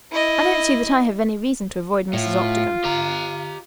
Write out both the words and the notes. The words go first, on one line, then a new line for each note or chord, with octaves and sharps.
"I don't see that I have any reason to avoid Mrs. Octagon."
E4 D#5
A2 F4
G4 A#5